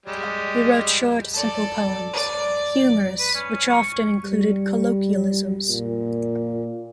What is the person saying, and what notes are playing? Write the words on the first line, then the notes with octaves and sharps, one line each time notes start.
He wrote short, simple poems, humorous, which often included colloquialisms.
G3 G#3
A4 D5
D5
B4
C#4
C#6
G3
A#2